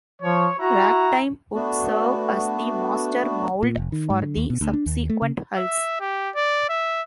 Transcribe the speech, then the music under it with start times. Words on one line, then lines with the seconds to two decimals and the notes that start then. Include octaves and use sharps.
"Ragtime" would serve as the master mould for the subsequent hulls.
0.22 F3 C#5
0.59 E4 F#4 A#5
1.54 A3 B3 D4 F#4
3.63 A#2
3.77 F1
3.92 D#3
4.10 G#2
4.22 D3
4.37 D#2
4.50 B2
4.61 D2
4.73 D4
4.86 D#2
5.10 A3
5.22 C#3
5.57 E5
6.00 G4
6.35 D5
6.69 E5